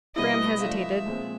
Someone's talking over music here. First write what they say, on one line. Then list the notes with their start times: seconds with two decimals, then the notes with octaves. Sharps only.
Graham hesitated.
0.15 B2 G3 B3 E4 D#5
0.60 F3 A3 D4 F4 E5
1.06 A#2 F3 G#3 C4